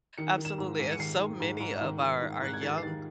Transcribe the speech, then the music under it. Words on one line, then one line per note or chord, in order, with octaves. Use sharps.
absolutely, and so many of our our young
D#3 C#7
D#3
E7
G#2
G#2 D#7
C#7
D#3 C7
D#3
G#2
G#2
D#3
D#3
G#2
G#2 F#6
G#6
D#3 A6
C7
D#3 A6